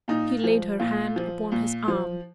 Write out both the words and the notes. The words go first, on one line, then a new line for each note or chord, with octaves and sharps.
She laid her hand upon his arm.
A#2 D#4
F3
A#2 F4
F3
A#2
F3